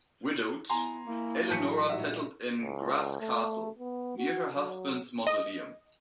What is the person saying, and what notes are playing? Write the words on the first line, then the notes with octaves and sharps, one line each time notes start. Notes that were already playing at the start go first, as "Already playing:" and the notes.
Widowed, Eleonora settled in Graz Castle, near her husband's mausoleum.
B3 E4 G#5 A#5 C6
A#3 E4
A2 E3 F#3 A5 B6 C#7
A#2 G3 D#4 F#4 E5
C#2
A3
B3
F#4
F#3
D#5